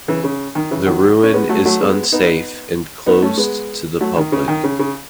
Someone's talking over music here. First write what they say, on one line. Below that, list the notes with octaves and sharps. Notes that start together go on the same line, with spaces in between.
The ruin is unsafe and closed to the public.
C#3 E3
C#3
D#3
C#3 E3
D#3 F#3
C#4
G#3 B3
F#3 A3
F#3 A3
G#3 B3
B3 D#4
B3 D#4
A3 C#4
G#3 B3
F#3 A3
D#3
C#3
D#3
C#3
C#3